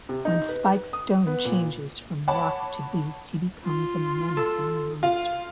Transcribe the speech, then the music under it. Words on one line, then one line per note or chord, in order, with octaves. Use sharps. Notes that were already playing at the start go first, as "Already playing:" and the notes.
When Spike Stone changes from rock to beast, he becomes a menacing monster!
C3
D#4
B4
D#6
B3
A#2
C#5 F#5 A5 B5 D6
F4
A4 E6
F4